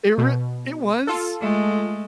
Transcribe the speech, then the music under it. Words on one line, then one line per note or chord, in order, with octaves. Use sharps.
It rea it was
B2
F4 A4
G#3 A3